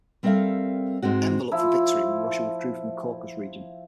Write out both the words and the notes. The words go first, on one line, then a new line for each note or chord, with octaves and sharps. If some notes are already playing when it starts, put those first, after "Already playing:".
Enver looked for victory when Russia withdrew from the Caucasus region.
G3 C4 A4 A#4 E5 F5
G#2 G#3 C4 F#4
F3 E4